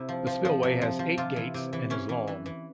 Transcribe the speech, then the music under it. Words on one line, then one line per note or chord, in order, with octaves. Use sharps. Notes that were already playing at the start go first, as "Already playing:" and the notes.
The spillway has eight gates and is long.
Already playing: C3 E4
F3
F3
F3
C3
F3
F3
C3 F4
E3
C3
E3
E3 C#4
E3
E3
E3